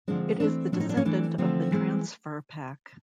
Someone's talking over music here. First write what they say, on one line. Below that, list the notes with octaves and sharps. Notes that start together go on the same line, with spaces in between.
It is the descendant of the Transfer Pak.
D3 F3 G#3 C4 D4
E3 A3 C4 D4
A2 F3 A3 C#4 D4
D#4
D4
C#4
E3 A3 C4 D4
D3 F3 A3 C4
E3 G#3 C4